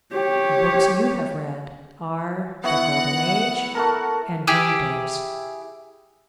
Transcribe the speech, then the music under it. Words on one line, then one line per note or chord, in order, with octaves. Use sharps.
The books you have read are The Golden Age. and Dream Days.
G4 C#5
B3 E4 F#4 F#5
F#4 A4 A#4
E4 G4 G#4